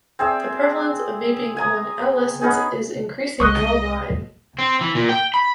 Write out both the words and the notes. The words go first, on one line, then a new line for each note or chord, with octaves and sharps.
The prevalence of vaping among adolescents is increasing worldwide.
C4 G#4 D5 E5
G#5 A#5 D#6
B3 C#4 D#4 G#4
C2 G#3 D#5 C#6 D#6 F#6
C4
E3
A#2
G5
B5